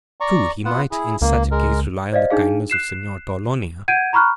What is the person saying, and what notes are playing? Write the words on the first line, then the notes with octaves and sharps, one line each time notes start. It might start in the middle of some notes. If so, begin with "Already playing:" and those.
True, he might in such a case rely on the kindness of Signor Torlonia.
D5 A#5 C#6
B3 F4 F#5
E4 G#4
C#2 A#3
G#3 A#4
C5 D5 D#5 F5
D4 D#4 G#4 F5
F#6 C7 E7
F#5 G6 G#6 D7 D#7
A#5 B5 C#6 F6 F#6